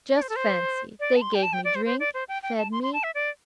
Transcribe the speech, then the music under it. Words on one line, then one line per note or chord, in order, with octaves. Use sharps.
Just fancy, they gave me drink, fed me!
D5
C5
A4
C5
D5
A5
C6
G5
A5
G5
D5
C5
C5
D5
C5
G5
G5
A5
C6
C6
A5
E5
D5